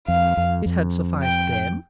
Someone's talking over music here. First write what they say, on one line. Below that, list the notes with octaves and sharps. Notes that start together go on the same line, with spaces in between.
It had sufficed them.
F2 F5
F2
F2
G5